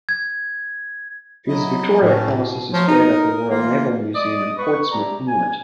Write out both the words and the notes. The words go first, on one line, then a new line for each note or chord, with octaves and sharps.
His Victoria Cross is displayed at the Royal Naval Museum, in Portsmouth, England.
G#6
F#3 E4 D#5
A2 A3 C#4
B2
F3 F#3 A3 C#5
D#4 A#4
E3 A#3 F4
D5 D#5 D6 D#6
B4 C#6
D4 E4 G4 D5 A#5
G#5